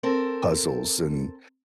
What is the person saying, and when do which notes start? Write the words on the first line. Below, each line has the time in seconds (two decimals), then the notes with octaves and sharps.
puzzles and
0.03 C4 A4 A#4